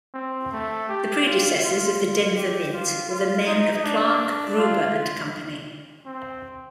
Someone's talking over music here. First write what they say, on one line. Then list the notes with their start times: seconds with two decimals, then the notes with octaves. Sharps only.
The predecessors of the Denver Mint were the men of Clark, Gruber and Company.
0.14 C4
0.52 A3
0.89 G4
1.26 F4
1.63 F4
2.00 F4
2.36 G4
2.73 F4
3.10 F4
3.46 D#4
3.84 D4
4.58 F4
6.06 C4